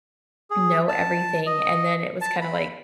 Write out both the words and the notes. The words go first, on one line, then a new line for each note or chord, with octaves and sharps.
know everything, and then it was kinda like,
G#4
A5
D#5
A5
B5